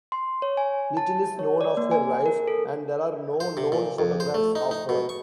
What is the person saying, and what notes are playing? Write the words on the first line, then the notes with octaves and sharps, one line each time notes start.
Little is known of her life, and there are no known photographs of her.
C6
C#5
G#5
A5
C#5
D5
A#3
G#5
A#4
A4
C5
C3
A#2
F2
C5
A3
D#4
D#4
B2
C#6